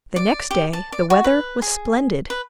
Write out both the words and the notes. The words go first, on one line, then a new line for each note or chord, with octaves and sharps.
The next day the weather was splendid.
D5
G4
A5
D5
F#4
B4
G#4
B4